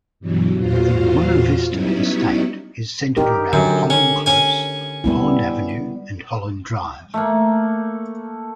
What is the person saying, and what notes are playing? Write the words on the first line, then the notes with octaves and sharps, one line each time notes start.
The Buona Vista estate is centred around Holland Close, Holland Avenue and Holland Drive.
G2 B2 E3 F#3
E2 A#2 F4 F#4 C5 F5
F#3 G3 B3 C#4 D#4 E4
D#4 G4 A#4
F#2 D3
C#4
C#4 G#5
G3 B3 E4
A3 A#3